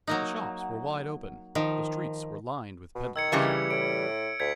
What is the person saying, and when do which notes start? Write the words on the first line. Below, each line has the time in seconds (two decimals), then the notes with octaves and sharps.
The shops were wide open; the streets were lined with pedlars.
0.07 F#3 A#3 D#4
1.55 D#3 F3
2.95 B2
3.16 D#3 E6 G#6 C#7
3.32 C#3 E3 G3
3.71 A2 D7
4.40 D2 G#6 B6